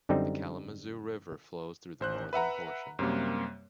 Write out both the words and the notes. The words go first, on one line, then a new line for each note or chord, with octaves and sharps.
The Kalamazoo River flows through the northern portion.
F#2 D3 G3 C4 D#4
A1 C5 F#6
B4 E5 F#5 A#5
F#2 C3 G3 A#3